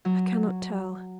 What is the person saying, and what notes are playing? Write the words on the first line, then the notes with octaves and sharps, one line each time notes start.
I cannot tell.
F#3